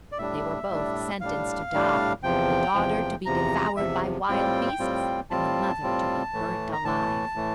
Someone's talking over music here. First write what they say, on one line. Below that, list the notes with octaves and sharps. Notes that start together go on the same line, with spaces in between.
They were both sentenced to die--the daughter to be devoured by wild beasts, and the mother to be burnt alive.
D5
A2 G3 D4 E5
A2 G3 D4
A2 G3 D4 F5
A2 G3 D4
E2 C3 F3 G5
E2 C3 F3
E2 C3 F3 A#5
E2 C3 F3 E5
A2 G3 C4 F4 G5
A2 G3 C4 F4
A2 G3 C4 F4 A5
A2 G3 C4 F4
A2 E3 A3
A#5
A2 E3 A3 A5
A2 E3 A3